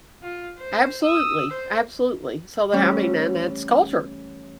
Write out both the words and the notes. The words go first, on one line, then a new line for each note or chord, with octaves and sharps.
eAbsolutely, absolutely. So that I mean, and that's culture.
F4
C5
D#6 E6
C5
E3 G3 A3 C#4